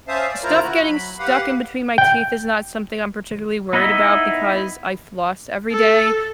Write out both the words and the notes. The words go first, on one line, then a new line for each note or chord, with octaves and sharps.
stuff getting stuck in between my teeth is not something I'm particularly worried about because I floss every day
C#4 C5 E5 F5 A5 D#6
D5
D2 E4 F4 A#4 C5 A#5
E4 F#4
F#3 B5
G4 B4 F5 F#5
G5
B3 D#4 E4 D#5 E5
A4